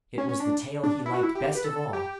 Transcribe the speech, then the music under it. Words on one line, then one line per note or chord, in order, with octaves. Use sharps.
It was the tale he liked best of all.
C#4
C#4
D4
D4
E4
F#4
E4
G4
B4
A4
G4